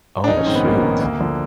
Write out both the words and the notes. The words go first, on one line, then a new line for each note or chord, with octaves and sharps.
Oh, shoot
D4
A#1 D#4
C#4
G#2 D#3 C4
B3
A#1 A#3
G#2 D#3
D2 A#3
D3 F3